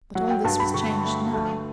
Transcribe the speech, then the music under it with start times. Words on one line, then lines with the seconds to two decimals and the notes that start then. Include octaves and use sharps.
But all this was changed now.
0.15 F#3 F#5
0.30 G5
0.44 G2 A5
0.60 B5
0.74 D3 C#6
1.04 A3
1.33 A3